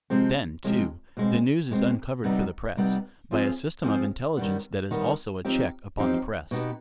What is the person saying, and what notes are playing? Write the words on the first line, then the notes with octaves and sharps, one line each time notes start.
Then, too, the news is uncovered for the press by a system of intelligence that is also a check upon the press.
C3 F3 G#3 C4
C3 F3 G#3 C4
B2 G#3 C4
B2 G#3 C4
C3 G3 B3 D#4
C3 G3 B3 D#4
F3 C4 F4 G#4
F3 C4 F4 G#4
D#3 G3 B3
D#3 G3 B3
F3 C4 D#4 G4
F3 C4 D#4 G4
B2 B3 D#4 G4